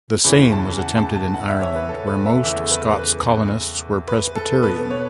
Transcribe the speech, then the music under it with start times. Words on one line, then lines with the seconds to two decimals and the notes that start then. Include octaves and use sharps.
The same was attempted in Ireland, where most Scots colonists were Presbyterian.
0.24 E2 C#3 E3 C#4 B5
0.52 A5
0.79 F#5
0.97 A5
1.16 A5
1.34 F#5
1.48 E5
1.62 C#5
1.75 B4
1.89 A4
2.07 B4
2.26 E5
2.44 E2 C#3 A3 E5
2.71 B4
2.99 B4
4.08 B4
4.36 A4
4.63 B2 B3 B4
4.91 C#5